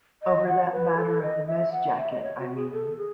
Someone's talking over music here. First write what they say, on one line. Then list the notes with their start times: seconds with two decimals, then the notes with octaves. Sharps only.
Over that matter of the mess jacket, I mean.
0.23 D#5
0.47 F#5
0.72 B4
0.97 A4
1.22 D#5
1.47 E5
1.72 F#5
1.97 E5
2.11 D#5
2.23 C#5
2.39 F#4
2.56 G#4
2.72 A4
2.97 G#4